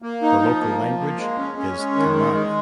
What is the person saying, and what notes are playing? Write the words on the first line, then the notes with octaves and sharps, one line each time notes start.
The local language is Kannada.
A#3
D#4
F3
A#3
F3
A#3
G#3
C#4
C#4
G#3
D#3
G#3
G#3